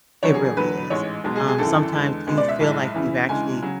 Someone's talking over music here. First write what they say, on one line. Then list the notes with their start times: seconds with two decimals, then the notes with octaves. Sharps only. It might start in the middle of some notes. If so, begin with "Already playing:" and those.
it really is. Um, sometimes you'd feel like you've actually
0.23 E1 E2 D3 F#3 C#5
0.34 G#4
0.45 G#4
0.57 E2 D3 F#3 B4
0.90 A1 G#2 G#3 C#5
1.24 B1 B2 G#3
1.35 G#4
1.48 G#4
1.58 G#1 F#2 E3 A4
1.92 E2 D3 G#3
2.27 C#2 B2 G#3
2.38 D5
2.48 E5
2.60 B1 A2 G#3
2.94 E2 C#3 E3
3.28 D2 C#3 E3 G#3 G#5
3.62 C#3 F#3